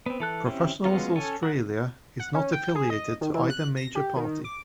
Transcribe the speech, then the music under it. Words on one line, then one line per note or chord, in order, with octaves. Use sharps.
Professionals Australia is not affiliated to either major party.
B3 C4
E3 A4 F#6
C4 C#4 E4 G4
F#3 G#3 B3 C#4 F4
C#4 A4 C#5 G#5
A#4 F#5
F#5
C#4
G5
G#4
D#5
D#3
E3
F#6
A#6
G4
D#3
D6